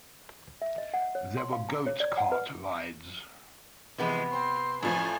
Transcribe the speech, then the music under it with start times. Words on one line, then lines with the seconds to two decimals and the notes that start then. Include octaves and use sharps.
There were goat cart rides.
0.62 E5
0.78 D#5
0.94 F#5
1.15 C#5
1.37 C6
1.52 F5
1.69 A#5
1.86 C#5
2.00 D5
2.18 F#5
2.32 B4
3.98 C3 E3 F3 G#3 B3 B4
4.33 C4 C6
4.83 A1 F3 A3 G#5